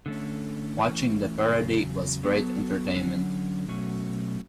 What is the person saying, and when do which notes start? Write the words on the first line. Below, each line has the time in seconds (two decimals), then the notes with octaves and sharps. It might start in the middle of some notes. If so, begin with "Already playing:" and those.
Watching the parody was great entertainment.
0.06 D3 A3 C#4
0.78 E3 A3 C#4
1.51 E2 C#3 F#3
2.23 F#3 B3 F#4 A4
2.95 D3 F#3 C#4
3.68 B2 F#3 A3 C#4 F#4